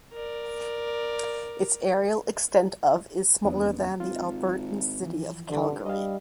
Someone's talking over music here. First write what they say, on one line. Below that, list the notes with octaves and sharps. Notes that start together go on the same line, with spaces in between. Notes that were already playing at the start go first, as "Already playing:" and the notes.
Its areal extent of is smaller than the Albertan city of Calgary.
A#4 D5
D#1 E2 B3 D4
G#1 F4
E3 F3
G2 D3
G3 D#5 F5